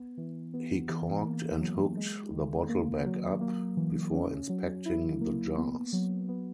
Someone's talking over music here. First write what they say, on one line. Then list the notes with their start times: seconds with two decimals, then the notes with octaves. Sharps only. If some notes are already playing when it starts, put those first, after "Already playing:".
He corked and hooked the bottle back up before inspecting the jars.
Already playing: B3
0.18 E3
0.54 B3
0.89 E3
1.26 A#3
1.61 F#3
1.97 G#3
2.33 D#3
2.69 A#3
3.06 F#3
3.41 A#3
3.77 E3
4.13 C#4
4.49 F#3
4.86 E4
5.21 A#3
5.57 B3
5.93 F#3
6.29 B3